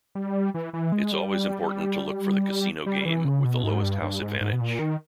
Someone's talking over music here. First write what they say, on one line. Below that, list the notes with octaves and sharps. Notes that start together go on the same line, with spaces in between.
It's always important to look for the casino game with the lowest house advantage.
G3
E3
E3
G#3
G3
G3
E3
C#3
B2
G#2
G2
G2
G#2
G#2
B2
A#2
D#3